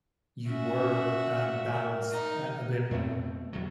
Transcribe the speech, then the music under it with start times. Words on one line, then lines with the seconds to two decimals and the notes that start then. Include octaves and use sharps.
you were, uh, balanced a a bit more?
0.47 C#4 F#4 E5
1.72 A#4
2.12 D#4
2.91 F2 B2 A3 C4
3.53 F#1 E2 F#3